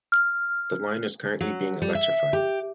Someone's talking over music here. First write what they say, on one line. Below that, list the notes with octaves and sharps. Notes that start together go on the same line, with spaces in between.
The line is currently being electrified.
F6
F#3
G3
E5
G4